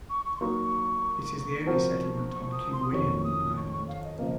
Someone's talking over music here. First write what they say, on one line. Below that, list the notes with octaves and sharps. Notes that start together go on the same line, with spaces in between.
It is the only settlement on King William Island.
C#6
C#6
C6
F#3 A#3 D#4 C#6
F3 C4 F#4 A#4 C#6
C#6
D#6
C6
D#6
F2 D#3 F#3 C#4 C#6
D#6
C#6
C#6
F5
D#5
C#3 F3 A#3 D#5